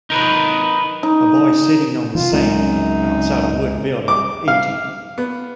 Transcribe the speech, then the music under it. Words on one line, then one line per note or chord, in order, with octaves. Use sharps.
A boy sitting on sand outside a wood building eating.
D#4 A#4 B4
D#4
C3 E3 F4
C#2 F#2 G#3 C4 D#4
D6
F5
B3